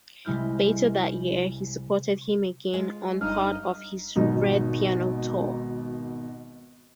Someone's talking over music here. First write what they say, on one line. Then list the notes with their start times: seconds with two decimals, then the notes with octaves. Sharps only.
Later that year, he supported him again on part of his Red Piano Tour.
0.25 C2 C3 G#3 E4 F6 G6
2.73 G#3 F4
3.21 G1 G3 D4 D#4 D#5 F6
4.16 G#1 B2 D#4